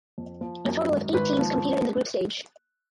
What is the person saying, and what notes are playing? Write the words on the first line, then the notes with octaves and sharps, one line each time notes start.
A total of eight teams competed in the group stage.
F2
F3
F#2
G#1
G#1 B4
F3